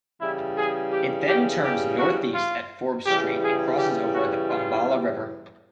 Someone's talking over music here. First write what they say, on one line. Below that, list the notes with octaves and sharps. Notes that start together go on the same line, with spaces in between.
It then turns northeast at Forbes Street and crosses over the Bombala River.
C#3 E3 G3 E4
G#4
G4
G4
G4
F#4
F4
C#3 E3 G3 G4
G#4
G4
F#4
F4